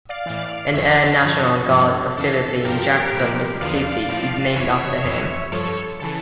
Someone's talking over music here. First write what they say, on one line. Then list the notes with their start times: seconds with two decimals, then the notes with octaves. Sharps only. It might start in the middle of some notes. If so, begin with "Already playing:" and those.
An Air National Guard facility in Jackson, Mississippi is named after him.
0.09 D5 F5
0.26 A2 E3
0.74 E2 C#3 F3 C#5 E5
0.90 A#4 D5
1.05 A4 C#5
1.21 G2 D3 F3
1.69 G2 D3 F3
2.17 F2 C#3 E3 A4
2.33 A4
2.49 A4
2.64 G2 F3 G4 A#4
3.12 A2 F3
3.60 E2 D3 F3 D5 F5
4.08 A2 F3
4.56 F2 E3 C#5 E5
5.04 F2 E3
5.52 G2 F3 A4 C#5
6.00 C#3 E3 A4